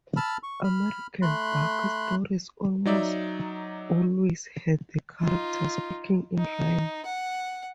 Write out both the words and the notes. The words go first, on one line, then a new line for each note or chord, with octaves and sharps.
American Bucky stories almost always had the characters speaking in rhyme.
A5 B5 E6 F6
C#6
B5 F6
A3 B5 C6 F#6
F#3 D#4 D5 E5
D#4 F4
D#4
F#5